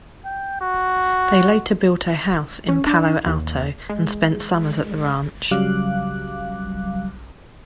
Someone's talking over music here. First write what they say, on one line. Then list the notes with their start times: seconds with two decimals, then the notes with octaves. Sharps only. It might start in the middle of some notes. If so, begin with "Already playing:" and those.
They later built a house in Palo Alto and spent summers at the ranch.
0.25 G5
0.61 F#4
2.68 C#4
2.87 D4
3.26 D#2
3.89 G#3
5.51 C#3 F#3 G3 F5 D6 F#6